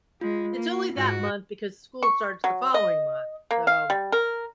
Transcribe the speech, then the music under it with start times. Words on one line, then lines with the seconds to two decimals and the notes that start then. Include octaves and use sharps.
it's only that month because school starts the following month, so
0.21 G#3 F4
0.56 A#3
0.93 G#2 F#4
2.03 C#6
2.44 F#3
2.74 D#5
3.51 A#3
3.67 F5
3.90 G3
4.12 A#4